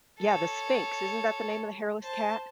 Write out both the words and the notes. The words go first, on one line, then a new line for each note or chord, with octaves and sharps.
Yeah, the Sphinx, isn't that the name of the hairless cat?
A4 C#5
C5 A5